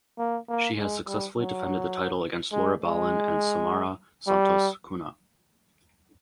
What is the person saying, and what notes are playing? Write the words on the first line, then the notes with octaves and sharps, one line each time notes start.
She has successfully defended the title against Laura Balin and Samara Santos Cunha.
A#3
A#3
G#3
G3
F#3
G#3
G#3
G3